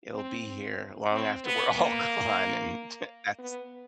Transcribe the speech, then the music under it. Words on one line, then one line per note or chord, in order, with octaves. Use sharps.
It'll be here long after we're all gone, and t that's
C4
C4
C4
B3
A#3
B3